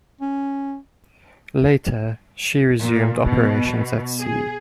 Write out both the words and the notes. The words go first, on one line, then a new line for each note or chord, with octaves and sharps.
Later, she resumed operations at sea.
C#4
A#2
B2
G#4